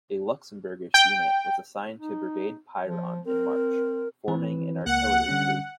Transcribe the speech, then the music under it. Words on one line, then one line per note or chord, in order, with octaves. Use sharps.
A Luxembourgish unit was assigned to "Brigade Piron" in March, forming an artillery troop.
G5
D#4
F3
C4 A#4
E3 C4 B4
C#2 A#3 F#5
D3 G3 C#4